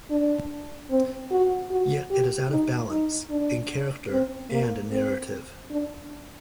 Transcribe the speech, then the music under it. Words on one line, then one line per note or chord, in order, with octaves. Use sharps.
Yet it is out of balance, in character and in narrative.
D4
C4
F#4
F#4
G4
D#4
D#4
D4
C4
A#3
C4
D4